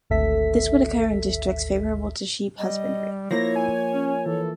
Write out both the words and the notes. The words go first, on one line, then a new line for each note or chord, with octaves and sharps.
This would occur in districts favourable to sheep husbandry.
G#1 D2 A4 E5 B6
G3 D#5
F3 A#3 E4 C#5 A#6
G#5
C#4
E3 A4